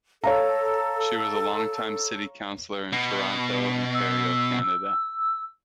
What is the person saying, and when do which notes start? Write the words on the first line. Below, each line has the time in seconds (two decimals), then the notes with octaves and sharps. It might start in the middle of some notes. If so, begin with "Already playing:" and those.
She was a longtime city councillor in Toronto, Ontario, Canada.
0.24 A4 C#5 F5 A#5
2.93 B2
3.94 E6